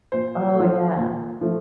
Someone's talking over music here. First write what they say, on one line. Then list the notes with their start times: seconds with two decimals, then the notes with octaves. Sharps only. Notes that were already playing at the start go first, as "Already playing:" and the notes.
Oh, yeah.
0.12 A#2 C5
0.55 A3
0.60 F3
0.97 A#2
1.41 F3 A3